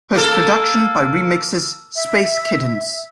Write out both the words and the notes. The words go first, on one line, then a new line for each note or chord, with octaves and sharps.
Post production by re-mixers 'Space Kittens'.
A#3 A4
E5